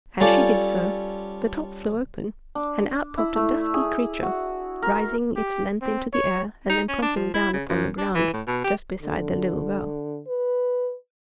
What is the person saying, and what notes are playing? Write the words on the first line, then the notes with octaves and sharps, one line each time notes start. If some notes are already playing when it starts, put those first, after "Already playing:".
As she did so the top flew open and out popped a dusky creature, rising its length into the air and then plumping down upon the ground just beside the little girl.
G3 C#4 F4 A4 D5
D4
E4
A3
G#4
F#4
A#4
G4
C4
C#5
D#4
C#4
D4
F3
E4
C#3
F#2
D4
E3
A2
B2
G4
D3
B4